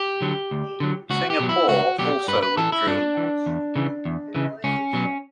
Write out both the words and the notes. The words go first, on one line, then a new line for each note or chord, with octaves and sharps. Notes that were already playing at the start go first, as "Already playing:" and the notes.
Singapore also withdrew.
Already playing: G4
D3 F#3
D2
D3 F#3
C#2 F#4
G4
B2 F#3
E4
C#2 F#4
B2 F#3 G4
G2 B4
B4
E3 A4
E4
G2 D4
E3
E2
C#3 E3
E2
C#3 E3
C#2 C#4
B2 F#3